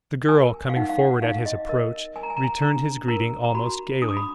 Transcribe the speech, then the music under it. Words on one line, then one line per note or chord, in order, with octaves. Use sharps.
The girl, coming forward at his approach, returned his greeting almost gaily.
A#4 G#5
F5
D#4 F#5
F5
F#5
D#4 F5
D#5
A#4 D#5
A#4 G#5
A#5
G#5
A#5
G#5
D4 A#5
A#4 A#5
A#5
F#4 B5
D4 D#6
D6
B5